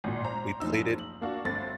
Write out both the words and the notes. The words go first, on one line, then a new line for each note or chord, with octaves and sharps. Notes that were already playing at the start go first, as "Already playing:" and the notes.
We played it
G#1 A#2
C5 A#5
F#1 F3 D#4 E6
F#7
A#3 D4 F4 F#4
G1 A3 C4 A6